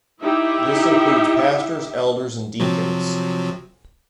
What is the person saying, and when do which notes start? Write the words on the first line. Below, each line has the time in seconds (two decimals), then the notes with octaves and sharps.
This includes pastors, elders and deacons.
0.21 D#4 E4 G4 E5
2.60 C3 F3 F#3